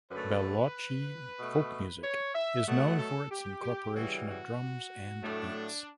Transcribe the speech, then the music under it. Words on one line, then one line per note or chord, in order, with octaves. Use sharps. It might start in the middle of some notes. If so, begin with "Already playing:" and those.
Balochi folk music is known for its incorporation of drums and beats.
F#2 D3 A3 B4
B2 A3
C#5
E5
B2 F#3 A3 F#5
A4
G4
G4
C#3 E3 G3 F#4
F#4
A2 F#3 A3 D4